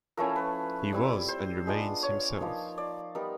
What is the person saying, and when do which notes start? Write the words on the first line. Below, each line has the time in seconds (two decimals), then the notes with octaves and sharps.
He was and remains himself.
0.17 F3 A3 C#4 E4 A#4
0.36 B4
0.93 G3 C4 E4
1.29 C5
1.67 G#3 B3 D4 F4
2.03 C#5
2.40 F3 A#3 D#4
2.78 D5
3.15 G3 B3 D#4 A#4